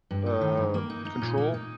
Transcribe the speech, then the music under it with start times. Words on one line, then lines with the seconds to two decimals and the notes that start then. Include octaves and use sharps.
uh, control
0.11 G2
0.26 D#4
0.41 D#3
0.57 G2
0.74 A#3
0.90 D#4
1.05 D#4
1.21 A#2
1.38 A#3
1.54 D#4